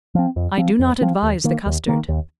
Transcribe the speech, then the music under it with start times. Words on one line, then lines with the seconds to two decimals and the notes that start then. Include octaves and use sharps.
I do not advise the custard.
0.15 F3 C4
0.36 F2
0.57 F3 C4
0.79 F2
1.01 F3 C4
1.22 D#2
1.44 D#3 A#3
1.66 D#2
1.88 D#3 A#3
2.08 D#2